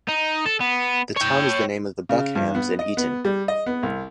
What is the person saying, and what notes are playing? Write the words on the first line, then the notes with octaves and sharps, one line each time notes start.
The town is the name of the Buck hams in Eaten.
D#4
A4
B3
C#5 G5
C#3
G2
B3
D#5
B3
G3
D#5
B3
C2